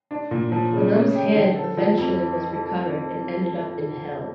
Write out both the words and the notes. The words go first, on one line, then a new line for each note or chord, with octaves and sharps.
Anum's hand eventually was recovered and ended up in Hell.
D4
A#2
F3
C#3
C#4
G4
D3
A4
F3
F2